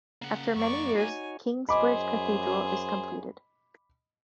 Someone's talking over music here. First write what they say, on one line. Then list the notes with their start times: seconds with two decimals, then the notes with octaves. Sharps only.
After many years, Kingsbridge cathedral is completed.
0.22 C#3 A#3 F#5
0.56 F#2 D5 C#6
0.98 D#4 F#4 C#5 G#5
1.69 F#2 G#4 C5 D#5 B5 D6